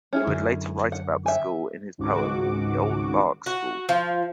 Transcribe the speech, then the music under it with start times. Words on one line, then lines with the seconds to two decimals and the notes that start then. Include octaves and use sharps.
He would later write about the school in his poem, "The Old Bark School".
0.13 C#4 E4 G#4
0.27 F#2 D3
0.92 F#5
1.26 E5 G#5
1.98 G#1 C#2 G#2 F#4 D6
3.46 F#4
3.89 F3